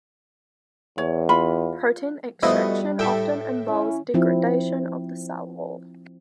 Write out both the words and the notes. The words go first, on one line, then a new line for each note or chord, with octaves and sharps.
Protein extraction often involves degradation of the cell wall.
E2 C#5
F4 B5
B2 F3 G3 A3 E4 D#5
A2 A4 E5 G5
C#4 E4
F3 C4 E4